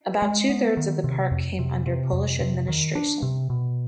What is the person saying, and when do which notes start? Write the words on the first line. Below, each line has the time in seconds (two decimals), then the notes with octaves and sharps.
About two thirds of the park came under Polish administration.
0.22 G#3
0.49 B3
0.77 D#3
1.04 C3
1.31 F2
1.59 C3
1.86 C3
2.13 F2
2.41 C3
2.68 D#3
2.95 D4
3.22 C3
3.50 B2